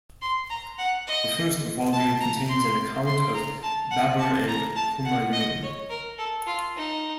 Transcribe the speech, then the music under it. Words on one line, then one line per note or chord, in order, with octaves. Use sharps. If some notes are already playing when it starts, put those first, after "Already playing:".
The first volume contains an account of Babur and Humayun.
C6
A#5
F#5
D#5
A5
A#5
C6
C6
A#5
A5
F#5
A5
A#5
A5
F#5
D#5
C#5
A#4
A4
F4
D#4